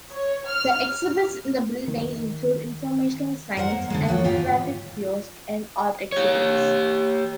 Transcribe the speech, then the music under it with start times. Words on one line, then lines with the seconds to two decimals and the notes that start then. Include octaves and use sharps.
The exhibits in the building include informational signs, an interactive kiosk, and art exhibits.
0.13 C#5
0.47 F6
1.88 D#3
3.57 A#4 C5 F5 F#5
3.71 A#3
3.90 D3 D#3 G#3
4.06 D#2 F3 F#4 C#5 G5
4.24 G#2 F4 G4 G5 G#5
6.12 G4 C#5